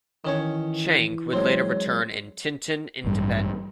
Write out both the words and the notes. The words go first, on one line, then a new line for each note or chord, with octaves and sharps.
Chang would later return in "Tintin in Tibet".
D#3 E3 C#4 C#5
F#3 G#3 C4 C#5
A1 G2